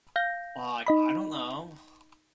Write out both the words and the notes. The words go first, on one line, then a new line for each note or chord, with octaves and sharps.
Like, I don't know.
F5 G6 A#6
D#4 D#5 B5